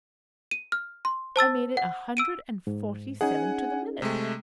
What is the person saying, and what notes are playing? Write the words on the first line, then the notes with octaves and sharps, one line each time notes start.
I made it a hundred and forty-seven to the minute.
D#7
F6
C6
C5 A5 E6 A6
F#5
E6 D7 D#7
G#2
C#4 D#4 G#4 F#5 G#5
C3 G#3 A3